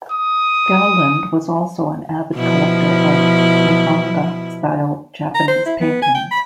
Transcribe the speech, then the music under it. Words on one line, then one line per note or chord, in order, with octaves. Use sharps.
Gowland was also an avid collector of "Nihonga" style Japanese paintings.
D#6
B2 F3 E4
A#5
C5
E4
B3
G#5
G5
B5